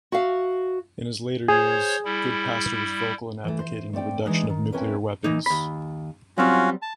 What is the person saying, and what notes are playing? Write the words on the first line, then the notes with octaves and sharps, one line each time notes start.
In his later years, Goodpaster was vocal in advocating the reduction of nuclear weapons.
F#4 E5 F5
G#4 C5 C#5
G3 E4
E3 A3
C5
A3 C4 D5 G5
E3 F3 G#3 D4 D#4
D#3
C4 C#4 E4 A#4 B4
E3 A#3 D#4
D#2 B5
F#3 G3 C4 C#4 F4 F#4
A5